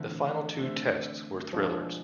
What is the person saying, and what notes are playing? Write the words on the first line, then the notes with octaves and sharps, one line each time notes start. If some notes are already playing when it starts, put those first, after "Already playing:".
The final two Tests were thrillers.
Already playing: D3 E3 A3 C4
D3 A3 C4
B2 F3 G#3 D4